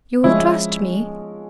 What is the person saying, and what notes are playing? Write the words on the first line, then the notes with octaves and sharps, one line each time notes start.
You'll trust me?
F3 G#3 C#4 E4